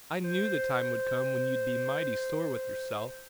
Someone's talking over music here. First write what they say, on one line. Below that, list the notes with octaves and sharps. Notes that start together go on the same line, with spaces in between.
I knew the time would come when you'd be mighty sore with yourself.
C5